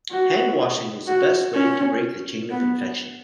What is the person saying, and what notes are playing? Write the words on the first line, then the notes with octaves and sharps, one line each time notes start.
Hand washing is the best way to break the chain of infection.
F#4
F#4
C#4
B3